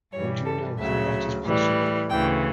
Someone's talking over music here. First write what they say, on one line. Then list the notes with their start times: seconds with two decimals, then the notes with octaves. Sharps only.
Would you know how that is possible?
0.12 G2 E3 G3 C#5
0.45 A4
0.78 D2 C#3 F#3 E5
1.43 A2 E3 G3
2.10 D2 C#3 E3 G5